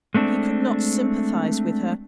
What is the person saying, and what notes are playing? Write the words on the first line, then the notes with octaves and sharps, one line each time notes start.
He could not sympathise with her.
G#3 A3 C4 D4